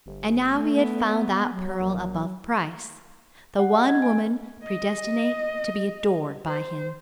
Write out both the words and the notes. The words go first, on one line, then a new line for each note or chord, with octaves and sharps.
And now he had found that pearl above price, the one woman predestinate to be adored by him.
G1
A3
B3
F#3
A#1
F#5
D#5
G#6
G#5
D#5
C5